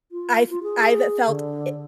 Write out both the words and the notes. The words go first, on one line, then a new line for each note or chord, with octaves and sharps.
I've I've felt, i
F4
F4
G#4
D3